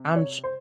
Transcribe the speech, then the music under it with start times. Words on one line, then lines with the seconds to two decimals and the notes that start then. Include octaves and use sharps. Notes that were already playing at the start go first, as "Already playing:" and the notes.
I'm tr
Already playing: C3
0.16 C#5
0.44 C5